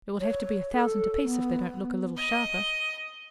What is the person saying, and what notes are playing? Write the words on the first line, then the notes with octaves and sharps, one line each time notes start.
It will have to be a thousand a piece if they don't look a little sharper.'
C#5
A4
B3
D#5